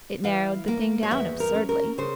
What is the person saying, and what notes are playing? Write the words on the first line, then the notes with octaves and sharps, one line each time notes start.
It narrowed the thing down absurdly.
E3 F5
A#3
C#5
E2 E5
A#4
C#4
A#4
C#3 C5